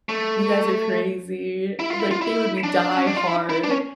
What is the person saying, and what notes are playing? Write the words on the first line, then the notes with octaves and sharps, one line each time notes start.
you guys are crazy." Like, they would be die-hard,
A3
E4
F4
E4
F4
E4
D4
C#4
D4
F4
E4
E4
D4
C#4